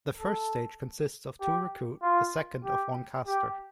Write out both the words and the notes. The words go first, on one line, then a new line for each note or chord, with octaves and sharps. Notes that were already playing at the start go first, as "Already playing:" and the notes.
The first stage consists of two Recruit, the second of one Castor.
A4
G4
F4
G4
G4